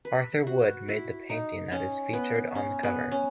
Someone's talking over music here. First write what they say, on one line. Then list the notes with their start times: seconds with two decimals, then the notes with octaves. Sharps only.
Arthur Wood made the painting that is featured on the cover.
0.05 B4
0.47 F#4
0.88 E4
1.30 D#4
1.72 C#4
2.13 B3
2.55 C#4
2.83 B3
3.11 C#4